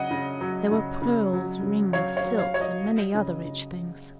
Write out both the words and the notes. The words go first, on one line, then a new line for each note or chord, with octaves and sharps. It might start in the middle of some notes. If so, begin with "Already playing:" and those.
There were pearls, rings, silks, and many other rich things.
Already playing: C#3 F#3 D#5 F#5
C#3
F#3
C#3
C#3
F#3
C#3
F#3 C#5 F5
C#5 F5
F#3
C#5 F5
F#3 C#5
D#5
F#3
C#3
C#3